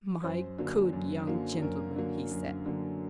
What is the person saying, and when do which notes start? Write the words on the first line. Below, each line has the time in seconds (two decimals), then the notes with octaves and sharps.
"My good young gentleman!" he said.
0.23 F#2 C5
0.58 D3 F#3 A#3
0.93 F#2
1.27 D3 F#3 A#3
1.62 F#2 A#4
1.96 D3 F#3 A#3
2.31 F#2
2.66 D3 F#3 A#3